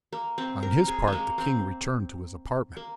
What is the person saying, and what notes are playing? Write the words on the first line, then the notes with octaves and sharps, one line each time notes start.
On his part the king returned to his apartment.
A#3
C4
A#4
G#4
G#3 A#3
C4
A#3